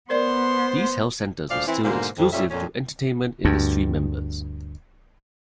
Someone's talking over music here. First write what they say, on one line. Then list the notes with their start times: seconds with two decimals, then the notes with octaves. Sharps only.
These health centers are still exclusive to entertainment industry members.
0.10 B3 A#4 C5 D5 C6
1.50 D2 A#2 F3 C5 D5 F5
1.67 E3 C4 E4
1.83 G#2 B2 D3 A#3 C5
2.18 F2
2.33 F2 A#2 G3 C#4 E5
2.50 F2 A#2 C#4
3.45 D2 G2